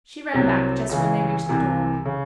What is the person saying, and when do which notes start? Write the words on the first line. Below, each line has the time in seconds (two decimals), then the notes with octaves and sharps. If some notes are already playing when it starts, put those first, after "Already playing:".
She ran back just when they reached the door.
0.33 C2 C3 F#3 C4
0.89 C#2 C#3 E3
1.46 C2 C3 E3
2.05 C#3